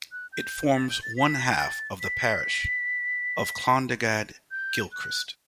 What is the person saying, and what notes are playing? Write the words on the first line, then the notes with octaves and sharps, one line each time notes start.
It forms one half of the parish of Clondegad-Kilchrist.
F#6
G6
A6
G6
A6
B6
A6
B6
G6
F#6